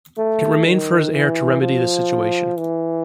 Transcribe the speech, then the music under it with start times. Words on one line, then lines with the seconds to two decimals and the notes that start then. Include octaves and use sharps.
It remained for his heir to remedy the situation.
0.18 A3
0.65 D#3
1.13 E3
1.61 F3
2.58 E3